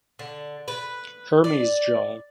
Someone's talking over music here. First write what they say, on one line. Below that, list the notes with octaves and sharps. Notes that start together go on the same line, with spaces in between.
Hermes Jaw.
D3
B4
D5